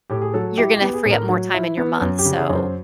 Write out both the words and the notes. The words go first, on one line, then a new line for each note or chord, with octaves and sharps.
you're gonna free up more time in your month, so,
A2 G4
G#4
F#3 A4
E4 G4
G4
B3
G#4
A2
A#4
F#3
E4
B3
F#2
G4
C#3
G#4
F#2
C5